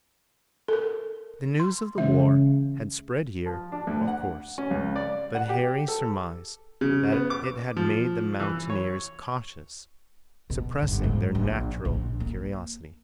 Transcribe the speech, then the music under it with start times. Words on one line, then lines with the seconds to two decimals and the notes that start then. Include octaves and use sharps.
The news of the war had spread here, of course, but Harry surmised that it had made the mountaineers cautious, suppressing their natural curiosity.
0.68 A4 A#4
1.60 C6
1.98 C#3 E3 G#3 E5
3.46 F3
3.72 D4
3.87 D2
4.07 F#5
4.58 C#4
4.71 C#2
4.96 D5
5.35 F#5
5.49 G4
5.88 A4
6.81 C#3
7.12 B3
7.30 D6
7.77 F3
8.40 E3
8.70 C#5
10.50 B2
10.83 G1
11.04 G#2
11.35 A#1
11.85 A#1
12.20 A#3